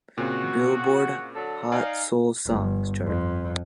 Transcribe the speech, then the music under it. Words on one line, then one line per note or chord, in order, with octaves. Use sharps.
Billboard Hot Soul Songs chart.
A#2 C#3 C4 F#4
D3 F#3 A4
D#4 D5 F5 G#5
G1
F2